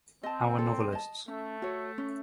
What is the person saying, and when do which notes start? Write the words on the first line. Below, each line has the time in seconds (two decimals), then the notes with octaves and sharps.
Our novelists.
0.23 C4 D#5 A5
0.58 A4
0.92 D#5 A5
1.27 A3 C#4
1.62 F#4 C#5
1.98 C#4